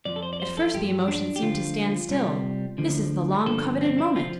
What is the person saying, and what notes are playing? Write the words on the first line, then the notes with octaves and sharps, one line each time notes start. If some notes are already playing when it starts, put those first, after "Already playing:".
At first the emotions seem to stand still--this is the long-coveted moment!
F2 F3 D5
A4
C5
D5
C5
A4
G2 F3 G4
D4
G4
D2 D3 F3 F4
C2 C3 G3
D2 D3 F3
G2 D3 F3 A4
C4
D4
F3 F4